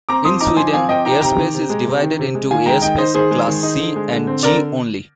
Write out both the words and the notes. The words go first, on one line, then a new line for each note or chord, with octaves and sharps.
In Sweden, airspace is divided into airspace class C and G only.
C4 A#5 D6
F3 C6 D#6
D#4 A#5 D6
F3 G#5 C6
C4 F5 G#5
F3 D#5 G5
D#4 G5 A#5
C3 G5 A#5
D#3
C3
G#3
C3
D#3
C3
G#3
D#3 F5 G#5
G#3 G5 A#5
D#3 D#5 G5
D#4 C5 D#5
D#3 G#4 C5
G#3
D#3
D#4
D3
G#3
D3
C4
D3 A#4 D5